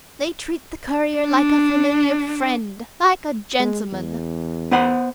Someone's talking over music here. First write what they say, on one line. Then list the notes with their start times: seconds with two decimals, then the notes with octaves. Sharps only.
They treat the courier like a familiar friend--like a gentleman.
1.17 D4
3.60 G#3
3.92 E2
4.71 B3 C5 F#5